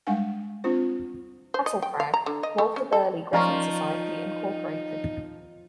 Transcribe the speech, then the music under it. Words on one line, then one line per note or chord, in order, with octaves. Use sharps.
Castlecrag: Walter Burley Griffin Society Incorporated.
G3 G#3 D4 F5 F#5 G#5
C4 D4 F4 C5
C5
D#5
G5
F5
A#5
D3
D#5
A3
C#4
A4
F3 C#4 D#4 F4 A#4 D5 A#5 C#6